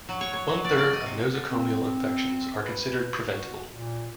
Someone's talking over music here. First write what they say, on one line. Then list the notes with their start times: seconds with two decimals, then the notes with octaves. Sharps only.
One-third of nosocomial infections are considered preventable.
0.09 F#3
0.21 C#5
0.33 C#5
0.49 F#3
0.65 D5
0.78 D5
0.93 D#5
1.06 C3
1.31 D3
1.49 C4
2.62 B4
3.30 F#4
3.73 A#2